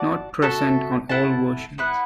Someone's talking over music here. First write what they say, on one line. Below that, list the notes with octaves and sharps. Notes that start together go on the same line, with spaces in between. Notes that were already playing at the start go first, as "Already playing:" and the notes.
Not present on all versions.
Already playing: F#4 D5 A5
F#4 A4 E5 A5
E4 A4 F#5 A5
B3 E4 B4 F#5